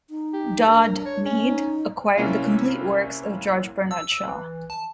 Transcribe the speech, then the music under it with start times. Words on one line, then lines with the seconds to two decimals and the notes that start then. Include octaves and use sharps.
Dodd, Mead acquired the complete works of George Bernard Shaw.
0.10 D#4
0.33 G4
0.67 D4 A#4
1.05 C#5
1.25 C#4
1.45 D#4
2.17 C3 A#3 C#4 E4 F4
3.91 E6
4.28 E3
4.70 A5